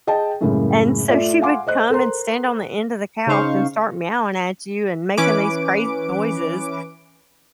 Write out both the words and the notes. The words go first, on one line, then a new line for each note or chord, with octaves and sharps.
and so she would come and stand on the end of the couch and start meowing at you and making these crazy noises,
G#4 D#5 G5 A5
F#2 A2 C#3 G#3 A#3
A3 F4 D5 E5
F5 F#5 G#5 C6 D6
C5 D#5 F#6
A4 A#4 C5 A#5 C6
C#3 C#4 D#4 C5 F5 C#6
E3 C#4 B4 D6 D7